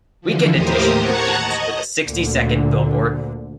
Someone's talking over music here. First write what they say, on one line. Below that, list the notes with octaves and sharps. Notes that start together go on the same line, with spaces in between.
"Weekend Edition" begins with a sixty-second billboard.
D3 E3 F3
D#2 A2 G4 A#4 C5 D#6
F#5 A5 A#5 C#6 F#6 G#6
D#5
D2 A#2 D3